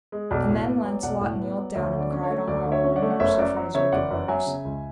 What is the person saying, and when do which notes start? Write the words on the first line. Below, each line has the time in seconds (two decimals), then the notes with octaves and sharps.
And then Launcelot kneeled down and cried on Our Lord mercy for his wicked works.
0.12 G#3
0.30 B1 D5
0.49 A2
0.67 B3
0.85 F#3
1.03 B1 D5 F#5
1.21 A2
1.39 B3
1.57 F#3
1.75 D2 C#5 E5
1.94 D3
1.99 D5
2.11 C#4
2.23 C#5
2.30 A3
2.47 D2 D5
2.66 D3
2.72 C#5 E5
2.84 C#4
2.96 D5 F#5
3.02 A3
3.10 F#5
3.20 F#1 C#5 E5
3.38 F#2 D5
3.56 F#3
3.74 C#3 C#5 E5
3.92 F#1 D5 F#5
4.11 F#2
4.28 F#3 E5 G#5
4.46 C#3
4.65 C#2